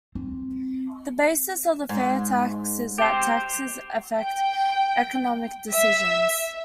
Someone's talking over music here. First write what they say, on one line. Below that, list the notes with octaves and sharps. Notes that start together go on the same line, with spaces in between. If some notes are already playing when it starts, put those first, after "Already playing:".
The basis of the FairTax is that taxes affect economic decisions.
C4
G#2
G4 C5
G5
E5